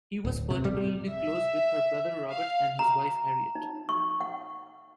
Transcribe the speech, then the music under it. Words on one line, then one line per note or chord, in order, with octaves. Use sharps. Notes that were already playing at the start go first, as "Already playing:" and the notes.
He was particularly close with her brother Robert and his wife Harriot.
D1
C3
G3
E5
F5
A#5
D#4
C#6
F#5